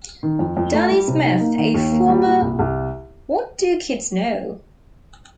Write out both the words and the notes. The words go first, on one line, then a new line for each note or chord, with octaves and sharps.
Donnie Smith, a former What Do Kids Know?
D#3
F2
F2
A3
G3
C3
D#4
A#3
D#3
D#2
A#3
G3
A#2
C2
C2